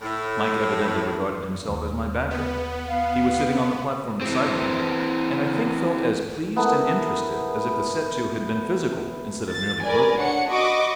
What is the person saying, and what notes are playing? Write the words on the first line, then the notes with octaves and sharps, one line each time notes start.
Mike evidently regarded himself as my backer--he was sitting on the platform beside me--and I think felt as pleased and interested as if the set-to had been physical instead of merely verbal.
A2
D#2
B3
F5
E3 C4
B3 E4 A4 A#4
A6
A#4 B4 D5 G#5
D4 C#5 F#5 C#7
F#4 D#5 B5 C#6 D6